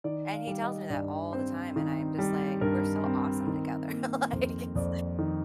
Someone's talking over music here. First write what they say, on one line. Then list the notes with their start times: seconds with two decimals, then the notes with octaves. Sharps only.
And he tells me that all the time, and I'm just like, "We're so awesome together.” Like, it's
0.04 D#3 D5
0.33 F5
0.47 G3
0.62 D#5
0.90 G2 D5
1.33 C4 C5
1.76 D#3
2.18 G3
2.61 G2 A#4
3.04 C4
3.47 D#3
3.90 A#3
4.33 F2 C5
4.75 F2 D5
5.19 D#3